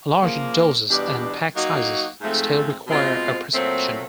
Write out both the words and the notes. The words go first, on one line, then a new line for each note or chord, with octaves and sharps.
Larger doses and pack sizes still require a prescription.
C#3 F3 A#3
E2 B2 G3 B3 D4
F#3 A#3 D#4 F#4
G#2 F3 A3 C4
B2 G#3 C4 F4
A#2 F#3 A3 C4